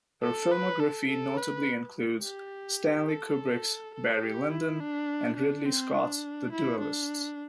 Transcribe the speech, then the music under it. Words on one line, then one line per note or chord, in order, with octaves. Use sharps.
Her filmography notably includes Stanley Kubrick's "Barry Lyndon" and Ridley Scott's "The Duellists".
A4
B4
A4
A4
B4
G4
A4
A4
G4
E4
D4
D4
C4
D4
E4
D4